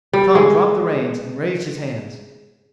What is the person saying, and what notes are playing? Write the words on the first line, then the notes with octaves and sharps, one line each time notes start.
Tom dropped the reins and raised his hands.
G3
G#3